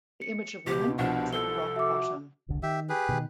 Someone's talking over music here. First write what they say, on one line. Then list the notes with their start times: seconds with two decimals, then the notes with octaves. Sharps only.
The image of women is at rock bottom.
0.22 C#7
0.67 C#2 B2 G4
0.99 C2 F3 D4 F#5 F6
1.33 A4 G7
1.76 F#4 E5 D6
2.49 E1 C2 D3
2.63 D#3 G4 E5
2.89 G4 G#4 B4
3.09 B2 D3 D#3